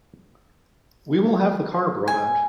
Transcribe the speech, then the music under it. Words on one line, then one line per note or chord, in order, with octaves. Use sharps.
We will have the car brought out.
G#5